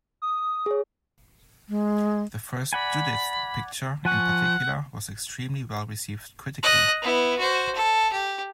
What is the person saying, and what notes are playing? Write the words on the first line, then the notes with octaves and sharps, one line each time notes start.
The first "Judith" picture in particular was extremely well received critically.
D#6
G#4 C#5
G#3
D5 F#5 G#5 B5
F3 F#5 G#5 C#6
D#5 F#6
B3 E4
F#4 C5
A4
G4